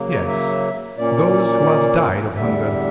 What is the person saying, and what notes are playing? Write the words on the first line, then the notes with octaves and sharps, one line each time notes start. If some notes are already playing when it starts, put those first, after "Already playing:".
"Yes; those who have died of hunger."
Already playing: C#3 F#3 A#3
C#5
E5
A#2 A#3 C#4 D5
E2 D3 G3 E5